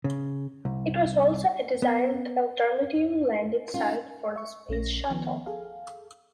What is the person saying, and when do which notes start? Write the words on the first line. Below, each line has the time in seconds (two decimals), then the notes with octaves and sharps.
It was also a designated alternative landing site for the Space Shuttle.
0.04 C#3
0.65 C2
1.82 B3
3.74 C#4 D#4 F4
4.36 E5 C#6
4.69 A#1 A3 C#4 A#6
5.10 D#3 F3 B3
5.46 G#4 A4 F5